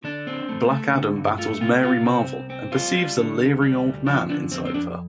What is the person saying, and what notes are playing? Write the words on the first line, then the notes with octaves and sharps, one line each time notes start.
Black Adam battles Mary Marvel and perceives a "leering old man" inside of her.
D3 D4
C4
A3
A3
D3
G2
A3 F4
C3 F4
C3 F4
C4
C2
C4
G3 F4
G3
D3
D2
G3
D2
F3 D4
D3 D4
F2 C4
C4
F2 D4